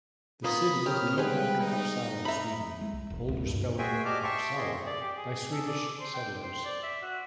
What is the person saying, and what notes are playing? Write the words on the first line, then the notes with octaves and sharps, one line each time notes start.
The city is named after Uppsala, Sweden, older spelling Upsala, by Swedish settlers.
A#3 B3 F4 B5 D#6
C4 G4 A#4 C#5 F6
G3 G#3 B3 G#4 B4 C5 G5
D#4
E5 A#5 B5
G#3
C2
E1
C#2
G2
F#4 G#4 C5 E5 G5 G#5
G4 D5 D#5 A5 D6 F6
E5 G5 A5 C6 C#6
G#4 D#5 C6
D5
G4
G#4
A4
D5
C5
G5
C5
D5
E5
F#4